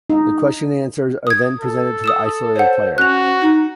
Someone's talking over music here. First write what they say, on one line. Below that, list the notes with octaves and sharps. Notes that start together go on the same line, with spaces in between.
The question and answers are then presented to the isolated player.
D#4
D#6 G#6
A4
D#6 E6 E7
C5 C#5 F#5
C#4 F#4 F#6 F7
D#4